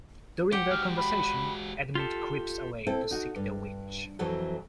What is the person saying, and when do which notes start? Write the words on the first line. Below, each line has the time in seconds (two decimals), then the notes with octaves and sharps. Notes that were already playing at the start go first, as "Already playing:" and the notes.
During their conversation, Edmund creeps away to seek the Witch.
0.52 G4 F#5
0.71 G#3 F#4 F6
0.97 B5
1.95 F4 G4 A4
2.87 C4 E4 A4
3.11 D#4 F#4
3.36 G2
4.19 F2 E3 F#3 F#4 A4